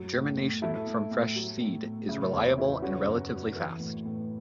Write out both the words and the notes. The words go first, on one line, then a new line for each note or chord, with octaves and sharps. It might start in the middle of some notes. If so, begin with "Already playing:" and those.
Germination from fresh seed is reliable and relatively fast.
Already playing: F#2 F#3
A2
A2
F#3 E4 A4
A2
A2
F#3
A2
A2
C#3 E4
E2 C#4
F#3 E4
C#3 C#4 F#4
F#2
F#3
E3
A2
A2